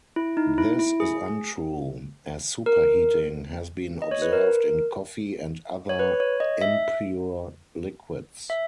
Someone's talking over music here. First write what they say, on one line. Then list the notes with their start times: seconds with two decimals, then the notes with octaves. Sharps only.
This is untrue, as superheating has been observed in coffee and other impure liquids.
0.16 E4
0.37 D#4
0.58 E4
0.79 E4
1.00 G#4
2.66 A#4
4.02 D#5
4.11 C#5
4.22 B4
4.33 A#4
5.89 C#5
5.99 B4
6.20 C#5
6.40 D#5
6.61 E5
8.50 E5